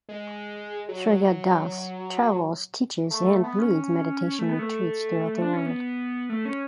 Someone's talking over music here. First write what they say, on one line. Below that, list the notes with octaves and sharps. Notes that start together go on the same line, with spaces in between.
Surya Das travels, teaches and leads meditation retreats throughout the world.
G#3
F#3
F#3
F#3
A3
B3
C#4
A3
B3
A3
D4
C#4
B3
A3
C#4